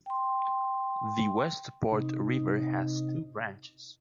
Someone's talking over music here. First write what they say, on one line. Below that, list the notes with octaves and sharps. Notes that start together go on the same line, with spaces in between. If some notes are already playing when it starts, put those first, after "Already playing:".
The Westport River has two branches.
G5 C6
C3 D#4